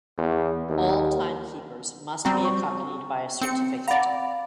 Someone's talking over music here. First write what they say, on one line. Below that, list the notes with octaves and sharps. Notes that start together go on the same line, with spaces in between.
All timekeepers must be accompanied by a certificate.
E2
D#2
G3 C4 F#4 A#5
C#6
C4 C#7
D5 F5 F#5 A#5 B5